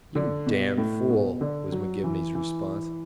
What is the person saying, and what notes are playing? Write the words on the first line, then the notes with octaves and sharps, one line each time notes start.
"You damned fool!" was McGivney's response.
D3
B2
A2
B2
D3
F#3
E3
E3